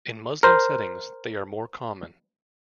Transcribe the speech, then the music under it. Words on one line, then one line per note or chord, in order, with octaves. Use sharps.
In Muslim settings they are more common.
A#4 C5